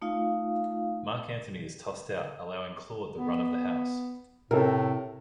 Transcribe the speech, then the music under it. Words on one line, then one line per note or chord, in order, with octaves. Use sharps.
Marc Antony is tossed out, allowing Claude the run of the house.
A3 D#4 F4 F5
B3
A2 C3 A4 A#4